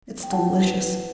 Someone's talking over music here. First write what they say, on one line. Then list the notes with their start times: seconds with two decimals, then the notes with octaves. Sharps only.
It's delicious.
0.23 G5
0.32 E4 F#5 A5
0.67 B4